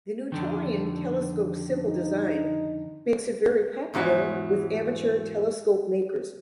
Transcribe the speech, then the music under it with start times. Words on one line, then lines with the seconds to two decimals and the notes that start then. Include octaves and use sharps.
The Newtonian telescope's simple design makes it very popular with amateur telescope makers.
0.32 F2 D3 D#3
1.87 D#4
3.94 E2 G#2 E3 F#3